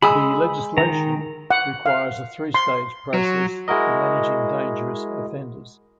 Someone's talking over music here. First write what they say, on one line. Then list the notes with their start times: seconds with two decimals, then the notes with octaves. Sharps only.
The legislation requires a three-stage process for managing dangerous offenders.
0.02 G#3 B5 D#6 E6
0.78 D#3 A#5
1.50 F#5
1.86 F5
2.54 C6
3.14 F#3
3.68 G#3 E4 F#4 A#4 D#5